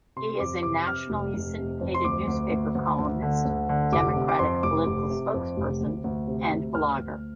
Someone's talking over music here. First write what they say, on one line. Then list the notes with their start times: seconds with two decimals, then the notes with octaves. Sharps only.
He is a nationally syndicated newspaper columnist, Democratic political spokesperson, and blogger.
0.16 C3 C6
0.40 F2 D6
0.63 C3 D6
0.87 C3 F6
1.10 F1
1.34 F1
1.58 C3
1.81 F2
1.95 C6
2.04 D2 D6
2.28 D2
2.51 D2
2.75 D2
2.99 D2
3.22 D3
3.45 D2
3.69 D3
3.92 F1 D6
4.16 C3
4.29 D6
4.39 F2 C6
4.63 F1 D6
4.86 F1
5.10 C3
5.34 F2
5.57 F1
5.81 D2
6.04 D2
6.27 C3
6.51 D2
6.74 D2 F6
6.98 D2